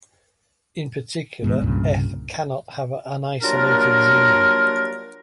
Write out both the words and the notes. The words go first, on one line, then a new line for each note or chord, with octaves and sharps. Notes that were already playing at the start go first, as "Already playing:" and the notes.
In particular "f" cannot have an isolated zero.
E2 G#2 B2
C2 G2 A#2 C#3
F#3 G3 A#3 D4 F4 A#4